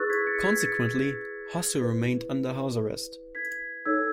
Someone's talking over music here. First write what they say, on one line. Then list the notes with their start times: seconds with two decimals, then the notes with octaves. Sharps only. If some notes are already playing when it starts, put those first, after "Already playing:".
Consequently, Hossu remained under house arrest.
Already playing: E4 G#4 B4 C#6 E6 F#6 A6
0.10 G#6 B6
0.27 A6 C#7
0.44 G#6 B6
0.60 A6 C#7
1.81 E4 B4
3.35 G#6 B6
3.86 D#4 A4 C#5 E6 G#6